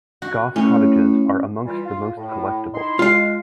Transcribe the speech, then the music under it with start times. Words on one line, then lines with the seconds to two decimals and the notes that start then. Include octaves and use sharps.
Goss cottages are amongst the most collectible.
0.22 F#4
0.56 A2 C#4
1.66 E3 G3 F4
1.86 F4
2.17 A2
2.74 D#4 E4 C6
2.99 G#3 F4 F5